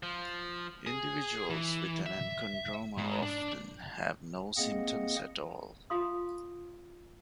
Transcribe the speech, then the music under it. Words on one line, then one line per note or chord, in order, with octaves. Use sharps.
Individuals with an enchondroma often have no symptoms at all.
F3
G#4
E3
E5
G#2
D4
A#3 C4 G#4 D#5 F#5
F4 F5 C6 D#6